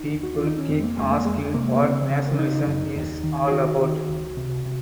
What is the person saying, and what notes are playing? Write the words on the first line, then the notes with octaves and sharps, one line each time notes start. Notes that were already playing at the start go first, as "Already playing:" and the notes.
People keep asking what nationalism is all about.
Already playing: D#4
D#2
F#4
F4
D#3
D#4
C#4
F2 C4
G#3
A#3
F2 G#3
A#3
F2 G#3
C3 A#3
A#3
C#3 C4
C#3
C#3 D#4
F#2
D#2
D#3
G#4
D#3 F#4
D#3
C#2
C3
C3